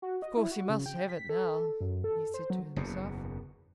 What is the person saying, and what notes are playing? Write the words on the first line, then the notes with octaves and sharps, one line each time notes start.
"Of course he must have it now," he said to himself.
F#4
D#5
E4
F#4
C#3
G5
B6
A4
F#2
A4
C5
F#3
F#1 E2 B2